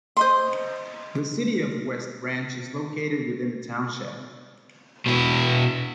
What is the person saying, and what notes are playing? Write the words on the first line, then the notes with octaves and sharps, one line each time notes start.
The city of West Branch is located within the township.
C5 D#5 C6
B2 E4